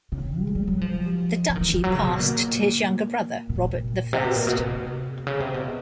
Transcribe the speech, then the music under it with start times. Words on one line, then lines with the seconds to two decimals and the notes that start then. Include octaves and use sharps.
The duchy passed to his younger brother Robert the First.
0.12 C#3
0.41 G#3
0.55 G3
0.68 F#3
0.81 F3
1.50 F3
1.56 D#3
1.61 E3
1.73 F3
1.84 F#3
1.95 C#3
2.07 B2
2.19 A#2
3.49 B2
3.56 A#2
4.13 C3
4.24 B2
4.36 A#2
4.47 B2
4.59 C3
5.27 C#3
5.40 C3
5.54 B2